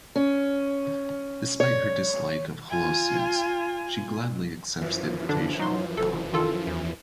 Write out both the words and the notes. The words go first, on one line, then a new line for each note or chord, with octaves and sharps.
Despite her dislike of holosuites, she gladly accepts the invitation.
C#4
C#5
F4 G#5
F#2 E3 F3
D3 D4
F#3 D#4 C6
F1 A4
D#3 F4 A4
E2